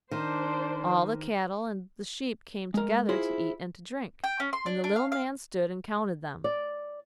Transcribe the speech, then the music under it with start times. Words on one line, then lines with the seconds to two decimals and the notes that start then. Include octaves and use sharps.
All the cattle and the sheep came together to eat and to drink, and the little man stood and counted them.
0.11 D#3 D4 C5
2.74 G#3 A#4
3.09 E4 F4 G#4 C5
4.24 G5
4.40 C#4
4.53 C6
4.66 D4
4.84 D4
4.96 F5
5.12 F5
6.44 D5